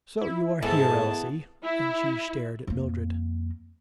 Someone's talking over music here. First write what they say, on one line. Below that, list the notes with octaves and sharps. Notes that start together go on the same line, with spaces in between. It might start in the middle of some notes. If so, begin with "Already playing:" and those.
'So you are here, Elsie,' and she stared at Mildred.
E4
G#2 B3 E4 G#4 A4 A5
E4
F2 A#3